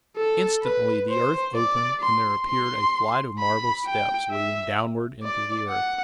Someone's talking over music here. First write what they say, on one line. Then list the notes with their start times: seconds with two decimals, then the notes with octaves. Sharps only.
Instantly the earth opened, and there appeared a flight of marble steps leading downward into the earth.
0.17 A4
0.63 B4
1.09 C5
1.55 D5
2.01 C6
2.47 C6
3.39 B5
3.85 G5
4.31 E5
5.23 D5
5.69 F#5